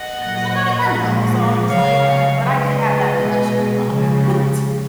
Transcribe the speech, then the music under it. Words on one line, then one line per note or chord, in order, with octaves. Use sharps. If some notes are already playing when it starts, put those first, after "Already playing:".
'cause I'm not a criminal and so I'm just like, "Ugh," but I did have that irrational thought. That
Already playing: D#5 F#5
A#2 F#3
A#2 F3 G#3
C#3 F#3 C#5 F5
C#3 F3 G#3 B4 D#5
B2 G#3
C#3 F3 G#3